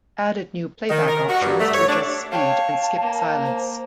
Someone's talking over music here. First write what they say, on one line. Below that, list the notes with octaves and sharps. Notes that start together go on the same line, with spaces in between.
Added new playback options to adjust speed and skip silence.
D#3
A#4
F#4
G2
A3
C#5
D4
C#5 F5 G5 A5
A#3
C5